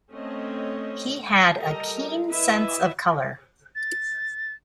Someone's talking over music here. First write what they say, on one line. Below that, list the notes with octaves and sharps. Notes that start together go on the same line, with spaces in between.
He had a keen sense of color.
A3 C4 C#4 C#5 D#5
G3 A4 A#4 D#5 A#5
E4 B4 D#5 E5
A6